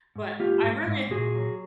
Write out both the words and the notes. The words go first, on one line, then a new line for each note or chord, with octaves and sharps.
But I really
G#2
A#3 F4 G4
G#2
G#2
A#2 F#4 G#4
F#3